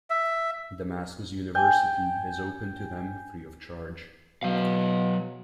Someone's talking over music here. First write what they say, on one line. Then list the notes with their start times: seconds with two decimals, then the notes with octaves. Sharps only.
Damascus University is open to them free of charge.
0.10 E5
1.55 G5 G#5
4.43 B2 F#3 F5